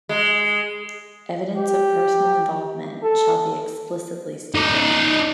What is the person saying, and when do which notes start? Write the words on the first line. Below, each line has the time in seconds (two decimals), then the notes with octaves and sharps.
Evidence of personal involvement shall be explicitly stated.
0.09 G#3
1.57 G4
3.03 A4
4.55 D#4 D5